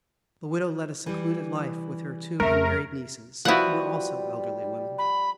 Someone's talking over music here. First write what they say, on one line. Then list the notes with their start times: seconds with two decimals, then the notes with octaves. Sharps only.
The widow led a secluded life with her two unmarried nieces, who were also elderly women.
1.06 E3 G3
2.40 F2 A3 A#4 E5
3.45 F3 G3 B3 E4 F#4 F#5
4.98 B5